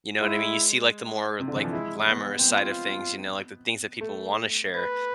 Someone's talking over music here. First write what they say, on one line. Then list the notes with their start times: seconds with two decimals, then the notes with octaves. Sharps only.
you know what I mean? You see, like, the more, like, glamorous side of things, you know, like, the things that people wanna share,
0.20 G#3 E4
1.40 C3
1.48 D3
1.56 E3
1.64 F3
1.72 G#3 E4
2.10 B3
2.39 C4
2.48 B3 F4
4.01 A3
4.76 B4